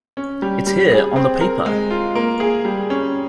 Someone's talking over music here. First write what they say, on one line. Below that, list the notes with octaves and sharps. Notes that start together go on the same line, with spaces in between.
It's here — on the paper!
C#4
G3
G3
G#4
C4
A#4
G#3
F4
A#3
G#4
G3
C#4